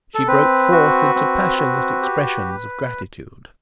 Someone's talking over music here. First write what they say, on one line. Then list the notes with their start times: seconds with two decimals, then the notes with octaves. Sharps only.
She broke forth into passionate expressions of gratitude.
0.15 A4
0.28 C4 B4
0.72 F#4
1.15 C4
1.58 F#4
2.02 G4